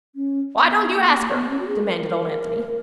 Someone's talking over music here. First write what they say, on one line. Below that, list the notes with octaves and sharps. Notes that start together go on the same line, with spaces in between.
"Why don't you ask her?" demanded old Anthony.
C#4
B3
A#3
B3
A#3
B3
C#4
F#4
G#4
A#4